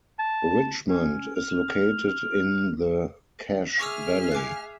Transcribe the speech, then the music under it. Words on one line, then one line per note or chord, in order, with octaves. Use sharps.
Richmond is located in the Cache Valley.
A5
C#4
F6
F6
G#4 E5 C#6 D6 E6 F6
F5 G#5 D6 F#6